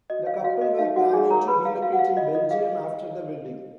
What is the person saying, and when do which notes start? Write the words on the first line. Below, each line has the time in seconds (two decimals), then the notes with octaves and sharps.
The couple were planning to relocate in Belgium after the wedding.
0.10 F#4 D#5
0.27 C#5 F5
0.44 F#4 F5
0.61 F#4 D#5
0.79 D#4 F5
0.96 D#4 F#4 F#5
1.13 D#4 G#4 G#5
1.31 A#4 C#5 A#5
1.48 B4 B5
1.64 B4 F5
1.82 F#4 F5
1.93 F#5
1.99 F#4 F5
2.16 F4 D#5
2.34 F4 D#5
2.51 G#4 F5